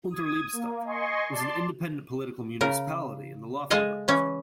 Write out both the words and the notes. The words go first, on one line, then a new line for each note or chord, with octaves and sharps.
Unterleibstadt was an independent political municipality in the Laufenburg district.
D#6 G#6
A#3
D#5 G#5 C6 C#6
D5 A5 C6
C#3 A#4
G#3 A4 D#5 F5 G#5
E3 C#4